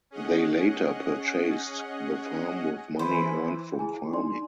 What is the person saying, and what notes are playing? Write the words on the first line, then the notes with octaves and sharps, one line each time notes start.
They later purchased the farm with money earned from farming.
C#4 G#4 D#5 F#5
E3 C5 G#5 B5
E4 G#4 G#5
D4 D#4 D5 C6